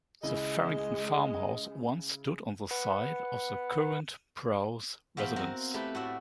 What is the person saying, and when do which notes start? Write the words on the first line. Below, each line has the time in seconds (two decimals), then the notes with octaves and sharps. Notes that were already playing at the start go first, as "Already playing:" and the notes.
The Farrington farmhouse once stood on the site of the current Prowse residence.
0.23 C#3 G#3 E4 D#5
2.71 B4 F#5
5.17 E2 F#4 C5 F5 G5 B5
5.36 C4 A#4 F5 F#5
5.74 A3 E4 G4 B4
5.95 A2 F#4 E5